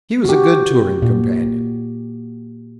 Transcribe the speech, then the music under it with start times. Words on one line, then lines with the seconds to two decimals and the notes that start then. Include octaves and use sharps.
He was a good touring companion.
0.25 F#4 G4
1.02 A#2